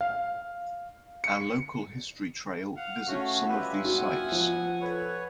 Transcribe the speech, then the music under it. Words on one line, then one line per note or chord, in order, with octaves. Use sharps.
A local history trail visits some of these sites.
F5
C#7
F5 F#5
A3 C#4 F#4
G3 F4 G4 B4 E5 F#5 G#5
B3 F#4
F3
A4 B4 C#5